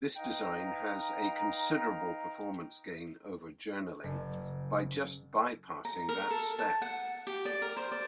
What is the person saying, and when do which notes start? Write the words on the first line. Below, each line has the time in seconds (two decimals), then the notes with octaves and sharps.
This design has a considerable performance gain over journaling, by just bypassing that step.
0.16 D#4 B4 D#5 F5 G5 A#5
4.04 F#1
5.85 A#5
6.09 A#4
6.31 A4
6.59 A5
6.82 F#5
7.27 G4
7.45 D5
7.62 A#4
7.77 C5
7.92 D5